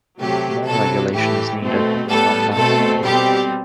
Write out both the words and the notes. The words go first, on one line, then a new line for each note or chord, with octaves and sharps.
More regulation is needed, not less.
C3 F#3 A3 G4
C3 F#3 B3 A4
A2 E3 A3 G4
B2 A3 C4
A2 G3 B3 A4
B2 A3 C4 A4
B2 G3 C4 G4